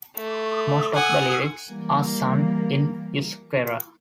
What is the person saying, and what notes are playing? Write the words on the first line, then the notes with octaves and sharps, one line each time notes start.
Most of the lyrics are sung in euskera.
A3
F#5 G#5
E3 G3 A#3